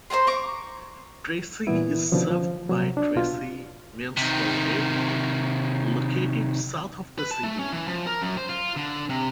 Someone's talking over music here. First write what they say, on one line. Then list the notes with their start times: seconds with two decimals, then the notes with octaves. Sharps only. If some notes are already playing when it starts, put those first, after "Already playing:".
Tracy is served by Tracy Municipal Airport, located south of the city.
0.10 C5 D#5 A#5 C6
0.27 A#5 C#6 D6
1.67 A#2 E3 B3 E4
2.12 B2 D3 D#3 F3 C#4
2.31 F3
2.69 C3 F#3
2.97 D4
3.15 C2 B2 F4
4.17 C3 D#3
7.19 B4
7.31 A5
7.43 A3
7.59 C#4
7.72 E3
7.88 F3
8.07 A#4
8.21 F#2
8.37 C5
8.49 F4
8.76 D3
9.10 C3